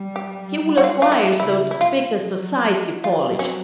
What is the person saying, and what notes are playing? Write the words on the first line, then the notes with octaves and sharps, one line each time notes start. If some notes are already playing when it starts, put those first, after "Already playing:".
He will acquire, so to speak, a society polish....
Already playing: G3
G4
F#4
F4
F4
E4
C#3 E4
E4
C3 F4
F#3
F#3 F4
C#4
C4